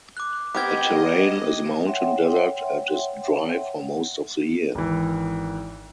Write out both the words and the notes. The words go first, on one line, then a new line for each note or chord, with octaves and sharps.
The terrain is mountain desert and is dry for most of the year.
D6 F#6
B3 C4 G4 A#4 D#5 G5 D6 G#6
C#5 E5 F#5 G5 C6
G#1 E3